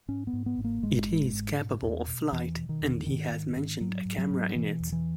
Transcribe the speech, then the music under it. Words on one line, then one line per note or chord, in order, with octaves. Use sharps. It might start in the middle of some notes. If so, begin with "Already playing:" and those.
It is capable of flight and he has mentioned a camera in it.
G#2 C#4
B3
G#2
B3
G#2
A#3
G#2 G#3
G#2
G#2
B2
E2
B2
E2 E3
B2
D#3
E2
G#2 D#3
G#2
G#2
G#2 F#3
G#2
F#3
G#2
B2 E3
E2
E3